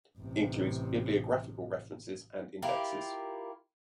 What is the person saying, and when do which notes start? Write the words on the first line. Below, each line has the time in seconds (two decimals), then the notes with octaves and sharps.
Includes bibliographical references and indexes.
0.18 A1 C3
2.62 E4 F4 G4 A#4